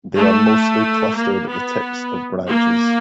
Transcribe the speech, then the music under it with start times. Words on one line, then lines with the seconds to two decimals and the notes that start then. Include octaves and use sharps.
They are mostly clustered at the tips of the branches.
0.17 A3
1.17 A#3
1.49 B3
2.49 A#3